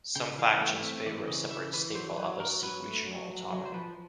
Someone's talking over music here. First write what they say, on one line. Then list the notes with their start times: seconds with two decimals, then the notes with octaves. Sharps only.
Some factions favour a separate state while others seek regional autonomy.
0.16 C#3 G5
0.38 E3 F5
0.61 A3
0.83 C4 E5
1.06 E3 D5
1.28 C#3 D#5
1.50 E3 E5
1.73 E3 B4
1.95 F#3 C5
2.17 F#3 B4
2.40 F#3 A#4
2.62 F#3 B4
2.84 A3
3.07 F#3
3.30 F#3
3.53 F#3
3.65 C5
3.74 F3 B4